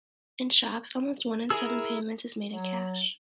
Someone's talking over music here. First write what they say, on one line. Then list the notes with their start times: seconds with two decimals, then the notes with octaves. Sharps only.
In shops, almost one in seven payments is made in cash.
1.50 E4 G#4 A#4 E6
2.53 F#3